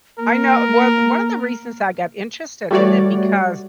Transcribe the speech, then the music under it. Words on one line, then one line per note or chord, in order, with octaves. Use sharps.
I know one one of the reasons I got interested in it because
A#3 A#4
G3 A3 F#4 C#5 D5